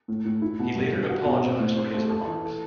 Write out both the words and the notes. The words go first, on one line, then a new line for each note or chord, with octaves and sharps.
He later apologised for his remarks.
A2
A2
E4
B2
G2
G2
F#4
B2
C4
A2
C5
A3
A4
E3
A4